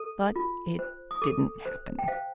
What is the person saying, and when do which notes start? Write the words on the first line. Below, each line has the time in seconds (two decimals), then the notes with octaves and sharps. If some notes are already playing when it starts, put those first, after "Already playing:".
But it didn't happen.
Already playing: A4
0.36 F4
0.79 C5
1.11 D#6
1.22 A4 D6
1.66 C5
1.99 G5
2.08 C5 F5